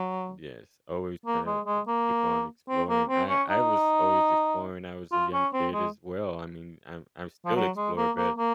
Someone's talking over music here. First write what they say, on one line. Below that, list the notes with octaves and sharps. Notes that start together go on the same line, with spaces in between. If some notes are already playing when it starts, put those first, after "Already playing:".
Yes. Always gonna uh, keep on exploring. I I was always exploring, I was a young kid as well, I mean, I'm I'm still explorer, but
Already playing: F#3
A#3
G#3
G#3
A#3
C4
A#3
C4
C#4
D#4
F4
C#4
C4
G#3
F3
F#3
G#3
A#3
A#3
A#3